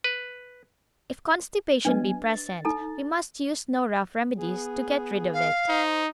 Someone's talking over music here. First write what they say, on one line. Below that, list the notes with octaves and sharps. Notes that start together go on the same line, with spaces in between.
If constipation be present, we must use no rough remedies to get rid of it.
B4
F#3 B3 D4 B4 D#5 G#5
A6
D#4 A4 A#5
B3 G#4
F5
D#4 C5